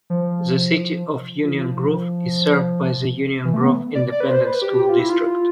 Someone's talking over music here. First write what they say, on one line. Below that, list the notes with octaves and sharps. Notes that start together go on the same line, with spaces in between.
The City of Union Grove is served by the Union Grove Independent School District.
F3
F3
E3
F3
E3
A3
B3
D5
D5
B4
C5
B4
G4
G4
F4
E4
F4